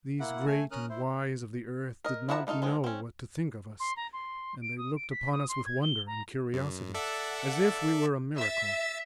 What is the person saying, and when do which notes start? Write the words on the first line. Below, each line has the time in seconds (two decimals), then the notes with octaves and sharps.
These great and wise of the earth did not know what to think of us, and they looked upon us with wonder and curiosity, as if we were a miracle.
0.20 A#3 E4 F#5
0.46 A3 G#5
0.71 C#4 A#4 D#6 F6 F#6
0.89 E4 C5
2.05 A#4 D#5
2.29 F3 E4 F#5 A5 A#5
2.47 A3 B3 D#4 F4 A4
2.62 D#3 F3 G#3
2.84 C4 C#4
3.80 C6
3.96 A#5
4.13 C6
4.62 D7
4.78 D#6
4.96 D7
5.11 B6
5.32 D#6
5.48 C6
5.65 G#6
5.82 G7
6.07 A#5
6.53 F#2
6.95 A4 D5 E5 F#5
8.38 E5 E6 A6